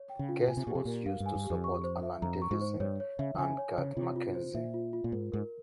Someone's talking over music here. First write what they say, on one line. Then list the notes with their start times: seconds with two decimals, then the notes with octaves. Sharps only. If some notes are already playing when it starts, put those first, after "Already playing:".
Guest was used to support Alan Davidson and Garth McKenzie.
Already playing: C#5
0.09 G5
0.19 C#3
0.29 F4
0.48 A#2 G#5
0.57 C3
0.67 A#2 G4
0.75 C3
0.85 A#2 A#4
1.06 G2 F5
1.20 G2
1.26 G#5
1.35 G2
1.45 G4
1.50 F2
1.64 C#6
1.84 C5
2.03 E5
2.22 F2 A#5
2.42 C#6
2.51 G#2
2.61 C5
2.80 G2 C#5
3.00 C#5
3.19 C#3 E5
3.35 E3
3.38 C#3 G#5
3.58 C#5
3.77 C#3 C#5
3.97 C3 F4
4.16 F4
4.35 C5
4.54 A#2 E5
4.74 F4
4.93 F4
5.04 A#2
5.12 G#2 A#4
5.32 G#2 A#4